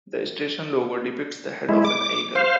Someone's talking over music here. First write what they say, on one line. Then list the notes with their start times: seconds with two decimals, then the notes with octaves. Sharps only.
The station logo depicts the head of an eagle.
1.69 G#3 E4
1.84 D6
2.35 C5 F5